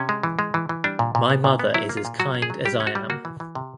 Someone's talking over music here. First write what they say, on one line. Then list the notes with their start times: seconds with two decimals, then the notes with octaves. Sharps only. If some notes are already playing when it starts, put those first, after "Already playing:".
My mother is as kind as I am.
Already playing: C3 C#4
0.09 G#3
0.23 E3
0.39 G#3
0.54 E3
0.69 E3
0.84 G3 D4
0.99 A#2
1.15 A#2
1.30 B3
1.44 A#2
1.59 B3
1.74 F#3 E4
1.89 A#3
1.97 F4
2.05 A#2
2.20 F#3 F#4
2.34 C#4
2.42 G#4
2.50 F#3
2.65 G3 G4
2.80 C#4
2.87 F#4
2.95 G3
3.10 A#3 F#4
3.25 E3
3.40 E3
3.55 C3